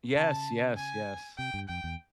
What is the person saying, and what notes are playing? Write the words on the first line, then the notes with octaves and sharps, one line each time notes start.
Yes, yes, yes.
C#3 A5
G#5
C3 G5
G2
F2 G5
E2